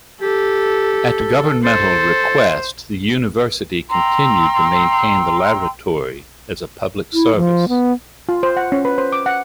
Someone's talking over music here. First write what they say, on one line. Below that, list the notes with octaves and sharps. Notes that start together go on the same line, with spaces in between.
At governmental request, the University continued to maintain the Laboratory as a public service.
G4 A4
A4 C5
G5 A#5 C6 E6
E4
F3
B3
F4
C5
F#5
C#4
B4
C5
D6
F#5